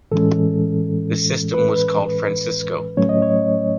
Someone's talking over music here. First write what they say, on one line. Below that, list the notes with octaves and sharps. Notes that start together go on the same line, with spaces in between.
This system was called Francisco.
A2 E3 G#3 C#4 A4
B4
A2 F#3 A3 C#4 C#5
D#5
C#5